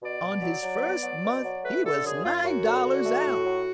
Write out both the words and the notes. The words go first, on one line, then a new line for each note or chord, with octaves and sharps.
On his first month he was nine dollars out.
B2 D5
B2
F#3
F#3
B3
F#3
B2
F#3
A3 B4
D3 A4
F#2 G#4
F#2 F4
F#2 F#4
D3
D3
A3
A2
F#3